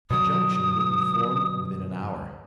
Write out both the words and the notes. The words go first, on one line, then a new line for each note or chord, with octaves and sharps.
The junction would be formed within an hour.
B2 D3 F#3 D#6